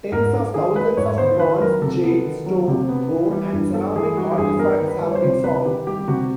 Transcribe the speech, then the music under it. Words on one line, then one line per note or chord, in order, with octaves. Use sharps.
Tens of thousands of bronze, jade, stone, bone, and ceramic artifacts have been found.
G#2 A#4
C#4 A4
D#3 G#4
G#3 B4
G#2 C#5
B3 C5
D#3 B4
F#3 A#4
C3 A4
B3
D#3
F#3
C3
B3
E3
G3
G2
B3 A4
E3 G#4
G3 F#4
G4
G2 G#4
B3 A#4
D#3
B4
G3
C#5
C5
C3
B3 B4
D#3 G4
G3 G4
C3 F#4